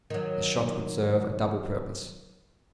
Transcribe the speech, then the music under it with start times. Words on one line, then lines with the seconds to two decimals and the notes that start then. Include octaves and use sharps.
The shot would serve a double purpose.
0.10 D#3 F#3